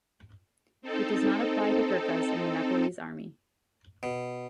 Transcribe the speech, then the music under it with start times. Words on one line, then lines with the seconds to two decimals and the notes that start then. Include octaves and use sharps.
It does not apply to Gurkhas in the Nepalese Army.
0.82 C4 D#4 A4
4.03 B2